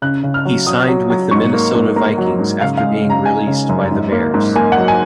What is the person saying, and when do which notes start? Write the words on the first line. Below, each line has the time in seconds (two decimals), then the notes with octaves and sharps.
He signed with the Minnesota Vikings after being released by the Bears.
0.02 C#3 F#6
0.23 C#3
0.34 F6
0.45 F#3
0.67 F#3 D#6
0.88 F#3
1.10 F#3
1.31 G#2 C#6
1.53 A#3
1.75 G#2
1.96 A#3 A#5
2.18 F#3
2.39 G#2
2.61 C#3 F5
2.77 F5
2.83 G#3
3.04 C#3
3.10 A#5
3.26 G#3 G#5
3.47 C#3
3.69 F#2
3.91 G#2
4.12 A#3
4.34 G#2
4.55 A#3 G#5
4.72 F#5
4.77 F#3
4.88 G#5